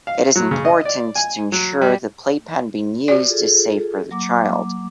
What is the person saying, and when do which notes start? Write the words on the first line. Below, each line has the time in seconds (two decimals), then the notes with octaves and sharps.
It is important to ensure the playpen being used is safe for the child.
0.07 F5
0.36 F#3
0.51 C#3
0.65 D#5
0.85 D5
1.16 G#5
1.52 F#3
1.81 G3
3.08 F#4 D5
3.28 F4 G#4 A4
4.11 F#3 A#3 D6